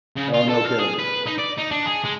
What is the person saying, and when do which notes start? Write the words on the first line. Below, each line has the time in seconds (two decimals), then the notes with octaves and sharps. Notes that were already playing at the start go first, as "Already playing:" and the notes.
Oh, no kidding.
0.17 C#3
0.34 F4
0.49 A4
0.65 F5
0.79 G#4
0.99 B4
1.26 D#4
1.38 D5
1.58 D#4
1.71 D4
1.86 G#4
2.05 G#3